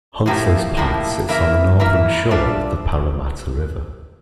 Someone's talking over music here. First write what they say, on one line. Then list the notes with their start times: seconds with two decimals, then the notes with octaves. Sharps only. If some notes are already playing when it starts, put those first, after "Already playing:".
Huntleys Point sits on the northern shore of the Parramatta River.
0.26 A2 F3 A#3 E4 G4
0.77 A2 F3 A#3 E4 G4
1.29 E3 A#3 E4 A#4 E5
1.80 E3 A#3 E4 A#4 E5
2.31 G3 D4 F4 A4 E5